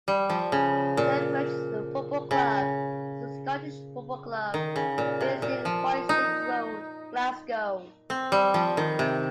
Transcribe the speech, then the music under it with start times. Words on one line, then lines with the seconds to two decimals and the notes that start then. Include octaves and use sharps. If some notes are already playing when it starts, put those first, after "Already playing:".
Saint Roch's Football Club is a Scottish football club, based in Royston Road, Glasgow.
0.08 G3
0.30 F3
0.52 C#3
0.97 A#2
2.31 C#3
4.54 D#3
4.76 C#3
4.98 A#2
5.21 C3
5.42 A#2
5.65 F3
6.09 D#4
8.10 C4
8.32 G3
8.54 F3
8.77 D#3
8.99 C3